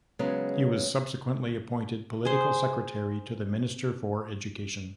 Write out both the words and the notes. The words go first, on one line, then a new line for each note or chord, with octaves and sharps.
He was subsequently appointed political secretary to the Minister for Education.
C#3 F#3 G#3 B3 C#4
G#4 C5